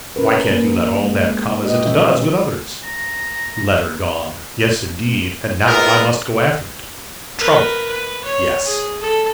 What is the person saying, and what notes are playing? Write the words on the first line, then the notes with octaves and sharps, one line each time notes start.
Why can't you let all that come as it does with others?' 'Letter gone;--yes indeed, and now I must go after it.' 'Trouble!--yes!
C#4 A#4 B4
A#3
G#3
F#4 G4 B4 D#5
A#2 E3 C#4 E5
A#5
G#3 B3 E4 F4 A#4
A#4 B4
B4
C#5
G#4
A4